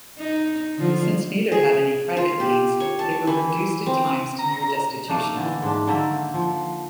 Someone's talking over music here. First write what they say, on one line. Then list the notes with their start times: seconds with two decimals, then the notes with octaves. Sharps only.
Since neither had any private means, they were reduced at times to near destitution.
0.19 D#4
0.78 D3 F3
1.52 G#4
2.17 F4
2.40 G4
2.80 C#5
2.99 A5
3.27 E3
3.86 C4
4.39 A#5
5.08 A3 A#3 D4 D#4
5.36 D3 E3
5.62 G#2 D4
5.87 D3 D#3 A#3 E5
6.34 F3